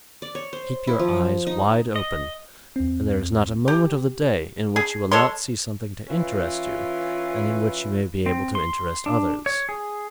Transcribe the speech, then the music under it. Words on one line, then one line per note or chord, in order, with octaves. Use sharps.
Keep your eyes wide open and there is not a moment of the day in which you will not see something to interest you and in which you may be able to interest others.
D5
C#5
C5
E4
F3
D#4
D#5
E2 C4
G4
G#4
G#3 A4 C#5 C6
E3 C#4 E4 F4 B4
C4
C6
D4
C#5
G#4